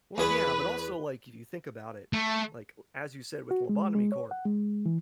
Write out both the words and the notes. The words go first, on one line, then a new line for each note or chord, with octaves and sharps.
Well, yeah, but also like, if you think about it, like, as you said with Lobotomy Corp,
E2 G#4 B4 B5
A3
F#4
G#3
G#3
C#5
F#5
G#3
E3